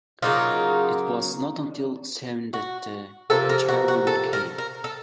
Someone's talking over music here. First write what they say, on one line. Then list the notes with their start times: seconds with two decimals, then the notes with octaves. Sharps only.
It was not until seven that the charwoman came.
0.22 C#3 F#3 A#3 D#4 F4
2.53 F#4
3.30 C3 F3 A#3 A4
3.49 A#4
3.69 F#4
3.88 F#4
4.07 A4
4.33 A#4
4.58 A#4
4.84 A4